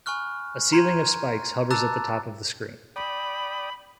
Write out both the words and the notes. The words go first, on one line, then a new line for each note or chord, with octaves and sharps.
A ceiling of spikes hovers at the top of the screen.
G#5 B5 C#6 F6 F#6
A#5 C6 G6 G#6 D#7
A5 A#5 D6 E6 F#6 A6
D5 G5 B5 D#6